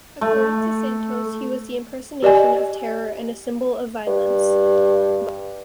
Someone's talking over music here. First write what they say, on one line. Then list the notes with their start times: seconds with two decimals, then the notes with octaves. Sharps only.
According to Santos, he was "the impersonation of terror and a symbol of violence".
0.21 A3
2.23 G4 D5 D#5 G#5
4.07 G2